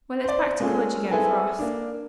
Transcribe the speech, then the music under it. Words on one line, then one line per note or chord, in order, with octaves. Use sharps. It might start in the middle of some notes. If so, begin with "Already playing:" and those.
Well, it's back to college again for us.
C5 D5
G#3 A#3 C#4 F4 G#4 A4
C4 E4 G#4 A4 B4 G#5
A#3 D4